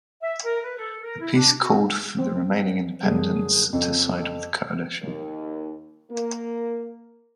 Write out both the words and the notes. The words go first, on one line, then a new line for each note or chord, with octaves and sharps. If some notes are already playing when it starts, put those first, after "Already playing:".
The piece called for the remaining independents to side with the Coalition.
E5
A#4
B4
A4
A#4
E4
D4
F#4
C4 G5
F#2 D3 G3 G#4
F2 C#3 A4
D#2
A#3